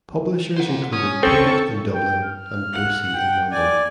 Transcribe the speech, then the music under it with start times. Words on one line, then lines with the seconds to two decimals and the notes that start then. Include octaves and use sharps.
Publishers included Pigott in Dublin and Boosey in London.
0.56 C5 F#5
0.93 C#4 D#6
1.23 C4 A4 G5 C#6
1.94 G5
2.25 F6
2.73 F#5
3.14 G5
3.52 D5 G#5